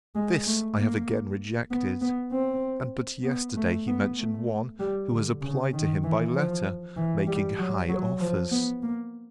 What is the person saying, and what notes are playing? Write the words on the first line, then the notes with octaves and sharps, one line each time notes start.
This I have again rejected; and but yesterday he mentioned one who has applied to him by letter, making high offers.
G#3
A3
A#3
B3
B3
C4
B3
A3
B3
A3
G3
D3
C#3
D#3
E3
F3
E3
G3
F#3
F#3
F3
B3
A#3